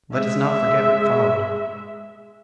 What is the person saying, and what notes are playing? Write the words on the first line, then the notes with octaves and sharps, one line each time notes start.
Let us not forget what followed.
G#3 E5